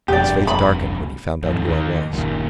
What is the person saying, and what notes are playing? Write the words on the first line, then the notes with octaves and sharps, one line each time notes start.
His face darkened when he found out who I was.
F1 G2 B2 G4 D5
B5
G#1 F2 A2
D#2
F#1 D#2 A#2